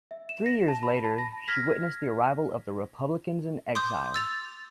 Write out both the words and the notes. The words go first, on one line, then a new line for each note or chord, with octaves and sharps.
Three years later she witnessed the arrival of the Republicans in exile.
E5
E7
A#6
A5
B5
A5
A#6
F6 G#6 A#6 B6
C6 D6 D#6 G6
E6 A6 F7